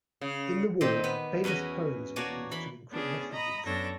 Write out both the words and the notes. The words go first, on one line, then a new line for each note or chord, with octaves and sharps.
In the war, famous poems were used to encrypt messages.
C#3
A#2 D#3 C4 D#4 C5 G5
B3
E2 E3 C#4 F#4 D#5
A#3 F#4 C#5 D5 G#5 A5
E3 B5
B3 C#4 D4 G#4
D#5 A#5 B5 D#6
F#2 B3 D4 A4 C#5 A#6